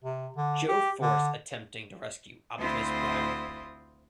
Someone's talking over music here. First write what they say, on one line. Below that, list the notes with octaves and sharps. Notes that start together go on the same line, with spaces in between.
Joe force attempting to rescue Optimus Prime.
C3
D3
G4
D3
D2 C4 E4 F4 C5 D#6